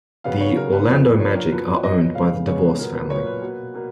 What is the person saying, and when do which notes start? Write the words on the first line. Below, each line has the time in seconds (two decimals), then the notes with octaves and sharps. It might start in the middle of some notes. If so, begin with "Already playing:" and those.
The Orlando Magic are owned by the DeVos family.
0.24 C#3 F#3 B3 F5
0.41 C#5
0.56 C#3 F#3 B3 A#4
0.72 B4
0.89 F2 F3 A#3
1.20 F2 F3 A#3 C#5
1.36 A#4
1.52 F#2 F3 B3 B4
1.67 C#5
1.83 F#2 F3 B3 D#5
1.99 D#5
2.15 C#3 G#3 B3 F5
2.47 C#3 G#3 B3 C#5
2.63 B4
2.79 A#2 F#3 B3 A#4
2.95 B4
3.10 A#2 F#3 B3 C#5
3.26 B4
3.42 B2 A#3
3.74 B2 A#3